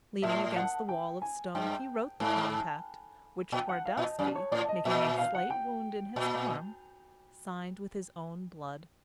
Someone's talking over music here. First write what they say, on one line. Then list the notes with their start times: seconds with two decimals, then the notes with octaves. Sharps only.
Leaning against the wall of stone he wrote the compact, which Twardowski, making a slight wound in his arm, signed with his own blood.
0.22 A2 E5
0.56 F#5
0.89 G5
1.22 G#5
1.55 G2 G5
2.20 G#2
3.52 A#2 G5
3.69 F#5
3.86 F5
3.97 A#2
4.02 D#5
4.19 F#2 D5
4.35 C#5
4.52 A2 D5
4.69 D#5
4.85 A#2 E5
4.94 D#5
5.02 E5
5.18 F5
5.35 F#5
5.50 G5
6.16 A#2